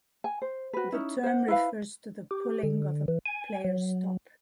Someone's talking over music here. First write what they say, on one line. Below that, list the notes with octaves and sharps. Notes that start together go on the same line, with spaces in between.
The term refers to the pulling of a player's top.
G#5
C5
F#4 B4
C#4 D#4 E4
C5 F#5
E4 B4 F5
G4
D3
E3
G#5
F#3